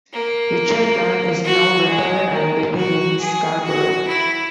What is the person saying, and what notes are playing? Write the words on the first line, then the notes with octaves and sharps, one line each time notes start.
Richard Dunn is now retired and living in Scarborough.
A#3
F#4
G#3
A#3
F#4
G#4
F#4
E4